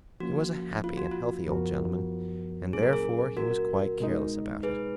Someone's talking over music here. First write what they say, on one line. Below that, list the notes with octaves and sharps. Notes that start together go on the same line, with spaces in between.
He was a happy and healthy old gentleman and therefore he was quite careless about it.
F3 A#3 C#4 F4 F#4
F4
F#4
F4
F#2 F3 B3 F#4 A#4
A#2 F#3 A#3 C#4 G#4
A#4
G#4
F#4 A#4
B2 G#3 D#4
G#4 B4